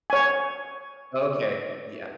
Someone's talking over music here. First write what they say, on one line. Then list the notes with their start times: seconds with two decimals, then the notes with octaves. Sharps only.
Okay. Yep.
0.10 C#5 G#5